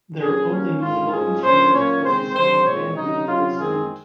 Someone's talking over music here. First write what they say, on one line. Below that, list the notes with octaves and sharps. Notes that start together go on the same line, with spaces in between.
Their only musical instrument was a small bamboo nose flute.
A#2 F#3 C#4 G#4
D#3 A#3 C#4
G#2 D#3 G#3 C#4 F4
G#2 F3 G#3 C#4 G#4
A#2 F#3 C#4 C5
A#2 F#3 A#3 C#4 C#5
D#3 G#3 C4 C5
C3 D#3 F#3 C5
A#2 F3 G#3 C4 C#5
C3 F#3 C#4 D#4
C3 F#3 C#4 F4
F#2 D#3 G#3 C4 G#4